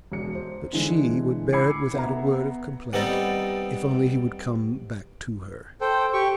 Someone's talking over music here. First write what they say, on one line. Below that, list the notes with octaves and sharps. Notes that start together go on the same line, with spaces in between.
But she would bear it without a word of complaint if only he would come back to her.
E1 C#7
C5
D3 E3 G#3
B5 D6 E6 G#6 C7 C#7
B3 E5 A#5
G3 B3 C4 D#4 A4
A4 C5 G5
G4 C#6